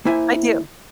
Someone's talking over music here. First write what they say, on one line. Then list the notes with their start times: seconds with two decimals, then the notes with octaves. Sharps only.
I do.
0.05 A#3 E4 C5 E5 G#5